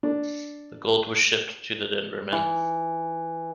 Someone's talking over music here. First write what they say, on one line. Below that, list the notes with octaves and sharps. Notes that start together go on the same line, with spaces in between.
The gold was shipped to the Denver Mint.
D4
E3